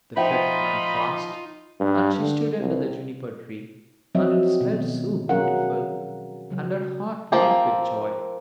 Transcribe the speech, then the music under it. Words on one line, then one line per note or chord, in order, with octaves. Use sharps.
The fifth month passed, and she stood under the Juniper-tree, and it smelt so beautiful, and her heart leaped with joy.
F3 D#4 F4 E5 F#5 G5 B5
G2
D3
C2
F3 F#3 C4 F#4 D#5 E5
B2 D#3
F#3 C#4 G#4 A#4 F5 F#5
C#3 F#3
F3 A#3 C4